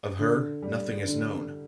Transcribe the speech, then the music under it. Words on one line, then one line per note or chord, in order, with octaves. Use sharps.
Of her, nothing is known.
D3
G3
D3